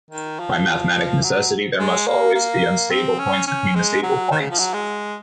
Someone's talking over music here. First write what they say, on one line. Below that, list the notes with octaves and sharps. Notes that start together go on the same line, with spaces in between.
By mathematic necessity, there must also be unstable points between the stable points.
D#3
F3
F#3
G#3
A#3
A#3
C4
C#4
C#4
G#3
F#3
D#3
C#3
F3
F#3
G#3